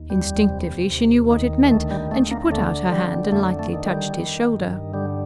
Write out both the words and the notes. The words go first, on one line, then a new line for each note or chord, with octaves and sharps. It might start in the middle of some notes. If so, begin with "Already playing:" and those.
Instinctively she knew what it meant, and she put out her hand and lightly touched his shoulder.
Already playing: D#2
F2 G3
C3
D#2
D#3
D2 A3
G3
D2 A3
A#3
D3 A3
D3 G3
F2 A3
A3
D#3
G3
D#3
G2
D3 G3